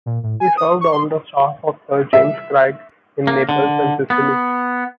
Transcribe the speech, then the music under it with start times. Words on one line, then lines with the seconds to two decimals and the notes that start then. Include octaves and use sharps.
He served on the staff of Sir James Craig in Naples and Sicily.
0.06 A#2
0.23 A2
0.40 G#5
0.57 D#6
0.81 C#6
0.92 C6
2.13 E5
3.27 A#3
3.49 D3
4.10 B3